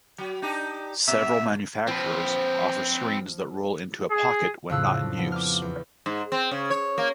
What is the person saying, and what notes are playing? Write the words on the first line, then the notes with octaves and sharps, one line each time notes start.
Several manufacturers offer screens that roll into a pocket when not in use.
F#3
D4 D#4 G4
A#2 E5
F3 C4 B4
G#4
F2 A2 C#3 D4 E6 F#6
D4
F3 B3
D6 F6
E2
G#2
C4
C#3
C#5
A#3